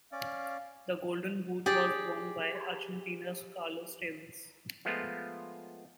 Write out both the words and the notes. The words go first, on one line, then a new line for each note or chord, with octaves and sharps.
The Golden Boot was won by Argentina's Carlos Tevez.
C#4 D5 F5
G4 G#4 D5
F3 G#3 A3 B3 F4